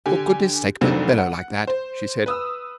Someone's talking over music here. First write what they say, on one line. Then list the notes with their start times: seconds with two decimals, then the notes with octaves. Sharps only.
'For goodness' sake don't bellow like that!' she said.
0.06 D3 G4 G#5
0.81 F1 C2 D#3 F#3 C4 D4
1.18 F#5
1.67 C5
2.26 B4 D#6 E6